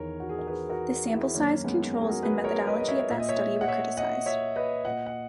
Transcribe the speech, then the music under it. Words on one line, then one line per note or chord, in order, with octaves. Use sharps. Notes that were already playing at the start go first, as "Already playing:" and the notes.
The sample size, controls, and methodology of that study were criticized.
Already playing: E2 D#3 A#4 C#5
F#4
G#4
A#4
G#4 B4
F#4 A#4
E4 G#4
F#2 D#3 A#3 C#4
G#3 B3
A#4
G#4
F#4 A#4
G#4 B4
A#4 C#5
B4 D#5
D#5
C#5 E5
A#2 E5
D#5
C#5 E5
F#5
C#5 E5
D#5 F#5
C#5 E5
B4 D#5
A#2 D#5 F#5
F#5